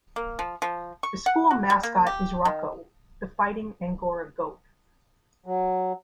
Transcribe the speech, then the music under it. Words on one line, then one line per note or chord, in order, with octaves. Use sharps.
The school mascot is Rocko, the fighting Angora goat.
A#3
F3
F3
C#6
F#5
F#4
G3
A#3
G4
D#3
F#3